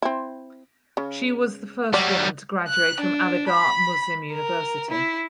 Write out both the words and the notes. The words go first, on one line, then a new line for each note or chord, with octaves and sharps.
She was the first woman to graduate from Aligarh Muslim University.
C4 E4
C#3
F#3 G3 D5
F#6
D4
B5
A#4
E4